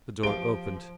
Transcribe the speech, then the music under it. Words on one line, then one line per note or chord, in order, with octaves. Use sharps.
The door opened.
F3 G4 F5 D7 G7